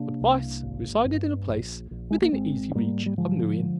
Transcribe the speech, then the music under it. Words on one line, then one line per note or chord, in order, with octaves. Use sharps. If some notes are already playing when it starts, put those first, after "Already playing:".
But Weiss resided at a place within easy reach of New Inn.
Already playing: C3 A#3 D4
C2
G#1
G2
A#1
A#1
G#3
A#3
G#1 G#3 C4
G#2 G3 A#3
G3
D3 F3 G#3
D3